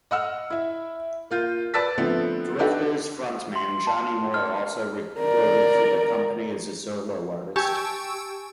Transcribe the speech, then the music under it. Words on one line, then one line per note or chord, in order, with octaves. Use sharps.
Drifters front man Johnny Moore also recorded for the company as a solo artist.
D#5 F#5 E6 F6
E4 E5
A#3 F4 G6
B4 D5 A5 E6 A6 B6
D3 F3 A3 B3 C4
D4 D#4 F#4 G4 A4 B4
C6
A5
F6
A#4 D5
G4 G#5 A5 C#6 E6